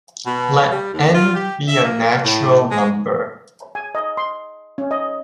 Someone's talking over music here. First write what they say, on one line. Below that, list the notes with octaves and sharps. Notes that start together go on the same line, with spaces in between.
Let "n" be a natural number.
B2
G3
D#2
F4
G4
E5
A#3
A2
G#3
G#5
D#5
C6
C#4
D#5